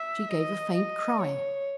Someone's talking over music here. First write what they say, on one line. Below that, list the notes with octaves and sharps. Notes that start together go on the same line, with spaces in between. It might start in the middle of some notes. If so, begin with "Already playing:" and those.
She gave a faint cry.
Already playing: E5
D#5
D#5
C#5